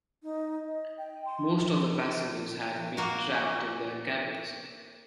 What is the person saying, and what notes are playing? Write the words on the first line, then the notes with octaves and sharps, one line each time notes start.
Most of the passengers had been trapped in their cabins.
D#4
D#5
G5
C6
A#3 F#4